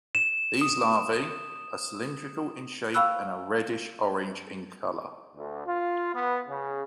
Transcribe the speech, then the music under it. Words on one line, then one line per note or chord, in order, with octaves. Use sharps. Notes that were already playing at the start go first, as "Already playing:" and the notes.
These larvae are cylindrical in shape and are reddish orange in color.
E7
D#6
F5 G5 B5 C#6 E6 F#6
D2
F4
B3
C#3